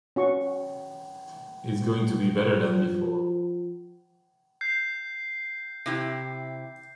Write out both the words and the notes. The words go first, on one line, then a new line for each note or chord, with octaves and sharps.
It is going to be better than before.
C#4 F#4 C#6
F3
G6 C7
C3 E4 G4